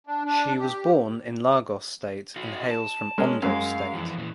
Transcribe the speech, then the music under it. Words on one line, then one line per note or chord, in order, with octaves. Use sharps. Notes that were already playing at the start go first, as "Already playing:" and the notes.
She was born in Lagos State and hails from Ondo State.
D4
D4
G4
D#4 F#4
A5
G#3 C#4 A#4
F#2 G#3 F5
F2 E3
A#2 E3